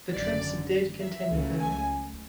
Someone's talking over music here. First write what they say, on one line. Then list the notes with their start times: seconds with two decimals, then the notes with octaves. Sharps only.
The trips did continue though.
0.13 G#1 F#2 D3 D5
1.00 E5
1.30 C#2 C#3 F#3 A3
1.60 G#5